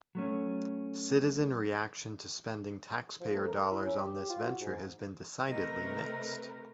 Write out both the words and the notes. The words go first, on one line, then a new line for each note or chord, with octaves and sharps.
Citizen reaction to spending taxpayer dollars on this venture has been decidedly mixed.
F#3 A3 C#4
F3
A3
A#4
E4
C#4
G4
F4
F#4
G#2
C3 A3 A#4 B4 D#5 A#6